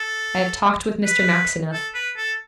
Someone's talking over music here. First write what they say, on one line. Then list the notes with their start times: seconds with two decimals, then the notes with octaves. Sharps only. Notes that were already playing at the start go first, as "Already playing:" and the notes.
I have talked with Mr. Maxineff.
Already playing: A4
1.05 B4
1.73 A4
1.94 B4
2.17 A4